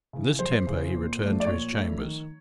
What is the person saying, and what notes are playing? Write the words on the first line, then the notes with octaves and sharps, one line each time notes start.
In this temper he returned to his chambers.
C#3 E3
F#2 C5
C#3 E3
A#2
F3 A3 D4
D5
A#2 C#5
F3 A3 D4
D#3